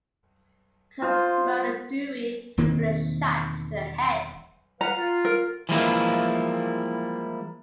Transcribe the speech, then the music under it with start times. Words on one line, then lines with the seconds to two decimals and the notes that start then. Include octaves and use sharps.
Cook murdered Dewey with a shot to the head.
1.02 F4 C5 D#5
2.58 E1 D#3 A#3 C4
4.81 B4 F5 F#5 A#5
4.96 F4
5.25 A#4
5.69 E3 F3 G3 G#3 A#3 E4